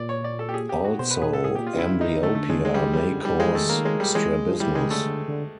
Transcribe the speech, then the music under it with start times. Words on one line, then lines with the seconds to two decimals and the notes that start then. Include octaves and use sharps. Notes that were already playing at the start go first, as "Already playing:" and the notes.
Also, amblyopia may cause strabismus.
Already playing: A#2 D5
0.09 C#5
0.24 D5
0.39 A4
0.49 G4
0.54 G#4
0.69 G4
0.84 F#4
0.99 B2 C5
1.11 B4
1.22 A#2 G#4
1.33 A4
1.44 A2 G#4
1.55 A#2 G4
1.67 F4
1.74 C#3 E4
1.90 D3
2.01 D#3 D#4
2.20 D3 A3
2.35 D3 A3
2.50 G#3
2.65 G#3
2.74 G3
2.80 D#3
2.93 E3 G3
3.10 D3
3.25 D#3 G3
3.38 E3 G#3
3.53 D#3 A3
3.69 A#3
3.85 G#3
4.00 G3
4.15 E3 G#3
4.46 F3
4.60 E3 G3
4.75 D#3 G#3
4.90 D3 A3
5.05 D3
5.28 D3